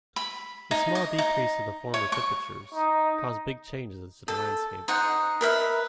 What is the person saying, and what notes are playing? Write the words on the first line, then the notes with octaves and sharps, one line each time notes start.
The small decrease to the former temperatures caused big changes to the landscape.
B5
D#4
D#5
D#4
C#5
C#6
D#4
A4
D#4 C5 F#5
A#4 B4 E5